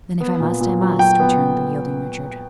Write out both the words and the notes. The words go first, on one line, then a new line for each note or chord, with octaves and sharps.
"Then, if I must, I must," returned the yielding Richard.
B3
A#2
A#2
F#3
F#3 G5
B3